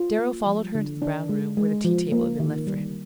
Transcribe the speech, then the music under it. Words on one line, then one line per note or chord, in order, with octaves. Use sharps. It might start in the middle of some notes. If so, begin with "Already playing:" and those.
Darrow followed her into the brown room, where the tea-table had been left for him.
Already playing: F4
A#3
F3
D3
D4
G#3
G#3
F3
A#3
D#3
G3